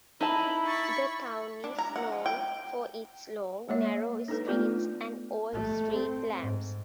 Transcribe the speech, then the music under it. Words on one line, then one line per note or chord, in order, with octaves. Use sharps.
The town is known for its long, narrow streets and old street lamps.
D#4 E4 A5 B5
B5 C#6 A6
D4
A#5
F#5
F3
G5
G#3 A#3 C#5 E5
D4 D#4 A4 B4
A3 B3 F4 D5
A3
C4
G#2